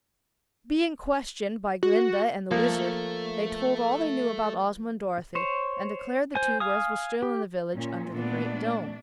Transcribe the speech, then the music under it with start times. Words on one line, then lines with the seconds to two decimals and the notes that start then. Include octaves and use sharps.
Being questioned by Glinda and the Wizard, they told all they knew about Ozma and Dorothy and declared the two girls were still in the village under the Great Dome.
1.83 F#4
2.51 F3 A3 A#3 A4
5.35 C5 C#5
6.35 C5 G#5
6.60 F5 G#5 D#6
7.22 G4
7.74 A#2 C#4
8.10 A#2 A3 B3 D4